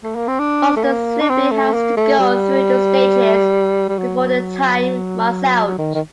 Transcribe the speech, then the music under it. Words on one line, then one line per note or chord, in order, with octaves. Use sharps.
Buster simply has to go through the stages before the time runs out.
A3
A#3
C4
D4
A3
A#3
D4
C4
A3
A#3
A3
G3
G3
F#3
F#3
D#3
D#3